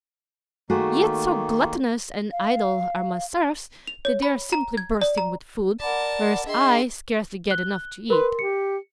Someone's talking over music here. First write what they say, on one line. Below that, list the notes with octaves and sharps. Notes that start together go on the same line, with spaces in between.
Yet so gluttonous and idle are my serfs that they are simply bursting with food, whereas I scarcely get enough to eat.
D#3 A3 A#3 F#4 G#4
F5
F7
C#5
B5
A#5
G#6
D5
A#5
A#4 D5 F#5 A5 B5 D6
D4 G#4 D#5 E5 G5 C6
F#6 G7
A#4 B4 C6
G4 C#7